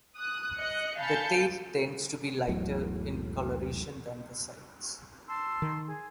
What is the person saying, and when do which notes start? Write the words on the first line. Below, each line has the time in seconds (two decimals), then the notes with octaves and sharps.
The tail tends to be lighter in coloration than the sides.
0.16 D#6 F#6
0.59 D#5 F#6 C#7
0.98 F5 G#5 A5 B5 G6 C#7
2.48 E1 B1 A2 F#3
5.27 A5 C6 E6
5.62 D#3
5.87 G#4